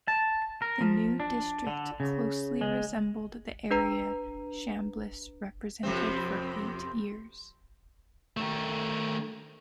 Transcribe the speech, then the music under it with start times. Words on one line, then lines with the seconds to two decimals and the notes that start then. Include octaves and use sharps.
The new district closely resembled the area Chambliss represented for eight years.
0.08 A5
0.62 A#4
0.81 F3
1.20 D4
1.67 D3
2.00 C#3
2.61 G#3
3.71 D4 B4 A#5
5.83 F2 C3 C4
8.37 D#3 A3